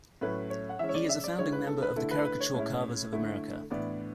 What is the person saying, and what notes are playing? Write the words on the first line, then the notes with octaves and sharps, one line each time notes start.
He is a founding member of the Caricature Carvers of America.
A2 F#3 A3 C#4 E4 B4
C#5
F#5
E3 G#3 C#4 E5
C#5
D5
E5
D5
D3 G#3 C#4 E4 C#5
B4
A4
B4
D3 A3 E4 A4
B4
B4
C#5
A2 G#3 C#4 E4
D3 A3 E4
A2 E3 B3 D4 D5